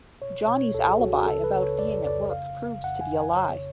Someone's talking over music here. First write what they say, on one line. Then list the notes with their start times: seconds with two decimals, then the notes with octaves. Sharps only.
Johnny's alibi about being at work proves to be a lie.
0.22 B2 C#5
0.48 B2 C#5
0.74 C#2 A4
0.88 G#4
1.00 C#2 F#4
1.13 F#4
1.26 C#3 A4
1.44 B4
1.54 C#3
1.62 C#5
1.79 F2 D5
2.06 F2 D5
2.31 C#3 F5
2.57 C#3
2.84 F2 F#5
3.01 G#5
3.10 F2
3.19 G#5
3.36 C#3 C#5